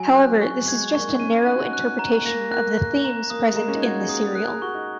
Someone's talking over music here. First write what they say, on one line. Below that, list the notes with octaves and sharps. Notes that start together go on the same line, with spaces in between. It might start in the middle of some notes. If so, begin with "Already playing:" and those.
However, this is just a narrow interpretation of the themes present in the serial.
Already playing: F#3 G#5
F#6
C#6
G#3 G#6
A#3 C#6
D#4
C#4 D#7
D#4 F#6
F#4
D#4
F#6
A#5
A#3 A#6
A#3 F#6
F#6
A#5
A#3 D#6
G#3
A#3 A#5
C#4
D#4
F#4 G#6
G#4
A#4 D#6
A#4 F#6
G#4
F#4 C#6
D#4